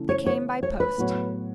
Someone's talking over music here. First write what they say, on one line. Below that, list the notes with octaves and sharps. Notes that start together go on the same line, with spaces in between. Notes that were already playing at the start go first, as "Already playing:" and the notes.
"They came by post."
Already playing: C#3 E3 A3 C#4 E4
C#5
C#5
C#5
B4
A2 F#3 B3 F#4 C#5